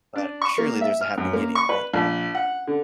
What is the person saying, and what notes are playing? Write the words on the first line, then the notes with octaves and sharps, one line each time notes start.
But surely there's a happy medium, right?
D4
C#6
A#3
E5
F6
F#2
A#3
C#6
B4
A#1
F#5
D3